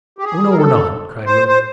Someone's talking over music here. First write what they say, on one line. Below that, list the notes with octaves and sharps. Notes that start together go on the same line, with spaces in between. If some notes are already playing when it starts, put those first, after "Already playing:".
"Oh no, we're not!" cried Willis.
G4
G#4
A#4
A4
C5
C5